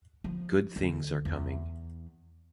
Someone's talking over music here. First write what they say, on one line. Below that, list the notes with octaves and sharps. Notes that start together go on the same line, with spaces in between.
Good things are coming.
F3
D2
E2